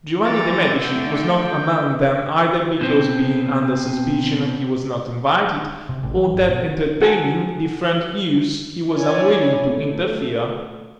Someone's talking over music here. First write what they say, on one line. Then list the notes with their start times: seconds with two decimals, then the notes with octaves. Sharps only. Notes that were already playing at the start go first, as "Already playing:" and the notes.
Giovanni de' Medici was not among them either because being under suspicion he was not invited or that entertaining different views he was unwilling to interfere.
0.24 D3 E3 A#5 D6 A6
0.84 A3 G5
2.81 B2 C4
5.89 C3
6.03 A1
6.17 E3
6.34 G1
6.49 B2
7.02 F#4 A4 G#5
8.99 D4 E4 C#5 D5 G#5
9.61 A3